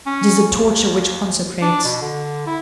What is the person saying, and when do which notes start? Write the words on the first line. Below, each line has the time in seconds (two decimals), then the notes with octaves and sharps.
It is a torture which consecrates.
0.06 C#4
0.49 D#2
1.62 D4
1.84 B2
2.01 D3
2.46 E4